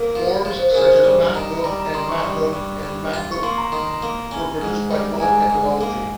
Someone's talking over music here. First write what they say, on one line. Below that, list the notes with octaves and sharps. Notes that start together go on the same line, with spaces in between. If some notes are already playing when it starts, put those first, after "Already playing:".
Forms such as "mathooke", "motthook" and "mathook" were produced by folk etymology.
Already playing: A#3 A#4
F3
F3 C#5
C5
C#3 A#4
C5
G2 C#5
D#3 A#5
G3 A#5
A#5
D#3 C6
C#6
G2
G2
G2
F4
C#6
A#3 C6
A#5
D#3 C6
A#5
A#3
C#4
G#2
G3
A#5
G#2 G#5
G#2
A#3